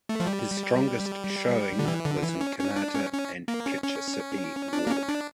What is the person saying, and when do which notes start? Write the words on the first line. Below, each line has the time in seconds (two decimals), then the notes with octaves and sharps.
His strongest showing was in Kanata and Kitchissippi Ward.
0.09 A3
0.20 F3
0.27 G3
1.79 D3
1.88 E3
2.05 D3
2.23 E3
2.41 C#4
2.59 C#4
2.76 D4
2.94 C#4
3.13 C#4
3.48 A#3
3.66 C#4
3.83 C#4
4.73 D4
4.87 A#3
4.91 C#4
5.09 D4